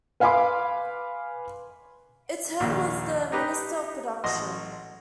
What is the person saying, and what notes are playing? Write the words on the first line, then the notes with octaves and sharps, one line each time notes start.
Its head was the Minister of Production.
B4 F5 G#5 B5 C6 D6
A#1 D#2 A#2
D#4 G4 B4
A1 F#4 D#5 C6